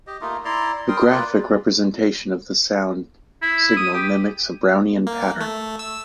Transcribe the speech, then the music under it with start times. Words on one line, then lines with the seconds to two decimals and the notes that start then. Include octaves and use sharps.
The graphic representation of the sound signal mimics a Brownian pattern.
0.07 G4 D#5
0.21 A3 A#3 D#4 F4
0.45 E4 D5 A#5 C6
0.88 A#4 G5 C6 D#6
1.10 A#3 F4 B4 D5
3.42 E4
3.76 D#6
3.94 G4
5.07 A#3
5.41 A3
5.79 E6